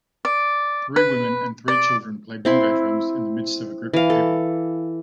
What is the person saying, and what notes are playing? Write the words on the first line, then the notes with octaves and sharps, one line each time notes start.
Three women and three children play bongo drums in the midst of a group of people.
D5
B4
D5
C4 E4 C6
E3 F5
A4